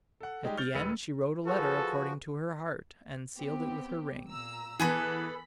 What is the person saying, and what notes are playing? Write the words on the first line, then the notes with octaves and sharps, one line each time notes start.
At the end she wrote a letter according to her heart, and sealed it with her ring.
A4 F#5
G3 G#3 D#4 G4
F6 G6 A6 F7 G7
D#1 G#3 B4 E6 C#7 D#7
F3 F#4 G#4 A4 B4
B3 C4 G4
A#2 A#5 E6
E3 B3 G#4 A4 B4 B5